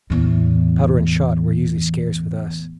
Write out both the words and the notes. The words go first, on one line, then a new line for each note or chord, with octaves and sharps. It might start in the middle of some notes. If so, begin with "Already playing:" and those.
Powder and shot were usually scarce with us.
E2 A2